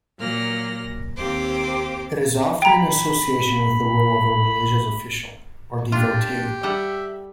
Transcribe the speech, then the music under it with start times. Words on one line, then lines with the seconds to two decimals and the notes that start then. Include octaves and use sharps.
It is often in association with the role of a religious official or devotee.
0.18 A#2 F#3 A#3 F6 A#6
1.17 D#2 A#3 C4 G4 C5 D6
2.62 G5 A#5 B5
5.92 D4 F4 G4
6.63 G3 A4 E5 F#5